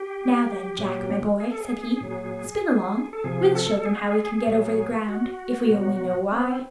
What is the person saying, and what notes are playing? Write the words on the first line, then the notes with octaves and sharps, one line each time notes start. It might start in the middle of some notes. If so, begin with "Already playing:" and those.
"Now then, Jack, my boy," said he, "spin along, we'll show them how we can get over the ground, if we only know why."
Already playing: G4
A#2 F#3
G#4
A4
G#4
A#2 F#3
A4
C3 F3 G#4
A4
A4
G#4
A#2 F#3
F#4
B2 F#3
C4